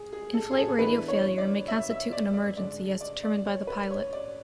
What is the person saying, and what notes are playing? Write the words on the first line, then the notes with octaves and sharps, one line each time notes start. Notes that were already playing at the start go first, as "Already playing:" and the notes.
In-flight radio failure may constitute an emergency, as determined by the pilot.
Already playing: G#4
G#4
A4
G#4
A4
E3 B3 D4 B4
C#5
D5
E5
E5
D5
D5
D3 G#3 D4 D5
D5
D5
C#5
B4
C#5
D5